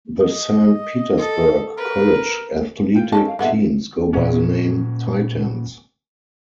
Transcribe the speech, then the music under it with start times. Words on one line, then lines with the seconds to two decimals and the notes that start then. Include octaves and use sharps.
The Saint Petersburg College athletic teams go by the name Titans.
0.21 D#5
1.17 A4
1.77 A#4 B4
2.95 F4 G5
3.12 D#3 C#4 A4 A5
3.27 F5
3.39 G2 A#2 G#3 B3 E4 A4 E5
4.13 A#2 C#4